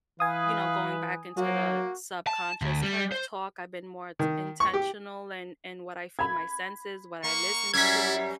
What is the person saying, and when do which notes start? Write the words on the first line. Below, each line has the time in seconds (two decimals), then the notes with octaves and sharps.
you know, going back into the subconscious kind of talk, I've been more t intentional in in what I feed my senses, what I listen to.
0.20 E3 B4 F5 G#5 D#6
1.37 F#3 A#3 F#4
2.27 A5
2.62 D2
2.82 G3
3.12 C5
4.19 D#3
4.60 C#6
4.74 G4
6.19 B5 G#6
7.24 A#3 C#6
7.74 F#2 G3 E4 G#6 B6